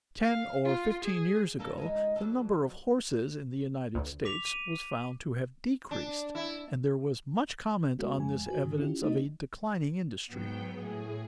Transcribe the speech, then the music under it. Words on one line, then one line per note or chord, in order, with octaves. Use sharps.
Ten or fifteen years ago the number of horses in the United States was found to have decreased, and there was much comment on this evidence of a declining industry.
F5
F4
G#4
A#3 D4 A4
G#3 D#4
F2 F#3 A4
D2
D6 B6 F7
D#7
D4
E4
G#3 B3 F#4
F2 B2 G#3 G#5
F#4 G#5
G#2 D#3
C#4 E4 F4 G4
A3 B3 D4 D#4 F#4 D#5
G#2 F#3 B3 G5 G6
A2 G#4